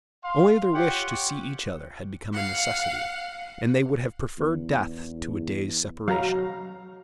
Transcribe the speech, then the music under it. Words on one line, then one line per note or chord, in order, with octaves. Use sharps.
Only their wish to see each other had become a necessity, and they would have preferred death to a day's separation.
F5 C6
F4 G4 C#5 F#5 G5
F5 F#5
E2
F#3 F5 A#5